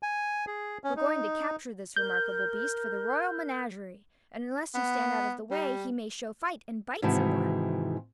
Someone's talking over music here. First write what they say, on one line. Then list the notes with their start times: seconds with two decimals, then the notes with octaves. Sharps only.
"We're going to capture this remarkable beast for the royal menagerie, and unless you stand out of the way he may show fight and bite some one."
0.03 G#5
0.47 G#4
0.84 C#4
0.96 D#4
1.96 A#4 G6
4.74 B3
5.51 G3
7.02 G#2 C3 D#3 E3 F#4 A5